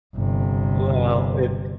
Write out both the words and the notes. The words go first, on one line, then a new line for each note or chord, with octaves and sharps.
Well, it
G1 C3